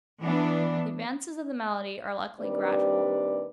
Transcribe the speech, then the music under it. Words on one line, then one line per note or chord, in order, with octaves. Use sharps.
The advances of the malady are, luckily, gradual.
E3 B3 D4
D#2 G3 C4 D4 B4 D5